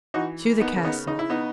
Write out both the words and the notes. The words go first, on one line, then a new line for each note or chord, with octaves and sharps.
To the castle!
E3 D#4 F#4
A#3
B3 D#4
C#3
B3 D#4
C#3 D#4
E4
B3 D#4